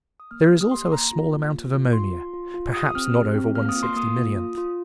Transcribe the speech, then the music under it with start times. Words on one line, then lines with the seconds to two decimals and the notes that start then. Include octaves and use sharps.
There is also a small amount of ammonia, perhaps not over one-sixty-millionth.
0.20 D#6
0.31 A#3 F6
0.51 G4
0.61 D#6
0.71 A#3 C6
0.92 A#3 A#5
1.13 F4
1.32 A#3
1.53 F4
1.74 F4
1.93 F4 C6
2.13 F4
2.34 F4
2.54 F4
2.74 G4 D#6
2.85 D#6
2.95 C4 F6
3.16 G4
3.35 C4
3.55 A#3 F6
3.69 D#6
3.76 F4
3.83 C6
3.96 A#3 D#6
4.17 F4
4.37 F4
4.58 F4